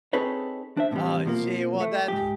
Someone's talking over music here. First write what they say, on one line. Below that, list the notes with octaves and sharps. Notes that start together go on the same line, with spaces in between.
Oh, gee, well, then
C4 D#4 G#4 A4 B4 C#5
D4 C5 E5
A2 C3 D#3 E3 G3
F2 B2 F3 G3 A#3
A3
G#2 G4